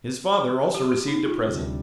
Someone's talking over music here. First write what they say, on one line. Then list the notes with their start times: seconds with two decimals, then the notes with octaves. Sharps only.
His father also received a present.
0.75 G4
0.92 G4
1.08 D#4
1.26 F4
1.42 D2 C3 G3
1.59 D4